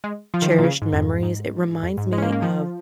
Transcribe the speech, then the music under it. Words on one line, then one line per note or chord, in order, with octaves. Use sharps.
cherished memories, it reminds me of
G#3
F3
D#3
F3
A#2
C#3
G#2
F2
G#2
F2
G#2
G#3
C#4
A#3
A#3
F3